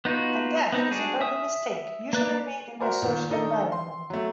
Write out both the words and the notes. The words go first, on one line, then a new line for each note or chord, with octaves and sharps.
A gaffe is a verbal mistake, usually made in a social environment.
B3 D#4 F4 F#4
B3 C4 D#4
D4 F#4 G#4
E5 D#6
A#3 B4 D5
F#4 A#4 C5 D5 G#5
A#2 D#3
D#3 D4 D#4 A4 D#5
C6
F#3 A3